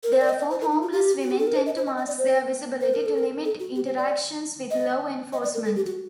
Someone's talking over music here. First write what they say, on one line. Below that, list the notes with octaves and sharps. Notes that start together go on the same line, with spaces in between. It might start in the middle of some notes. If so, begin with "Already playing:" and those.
Therefore, homeless women tend to mask their visibility to limit interactions with law enforcement.
A#4
C5
D5
D#5
D5
C5
A#4
D#4
F#4
G4
F#4
G4
A4
A#4
C5
D#5
C5
D#5
D#5
D5
C5
C5
A#4
A4
A#4
A4
F#4
G4
C5
D5
D#5
D#5
D5
A#4
A4
G4
F#4